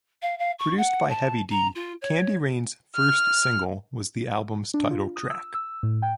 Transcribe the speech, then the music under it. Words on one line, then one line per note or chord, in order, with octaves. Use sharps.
Produced by Heavy D, "Candy Rain"'s first single was the album's title track.
F5
F5
C#6
F#5
A5
A#5
F4
C#5
F6
D4
F4
D#6
E6
E6
A2
G5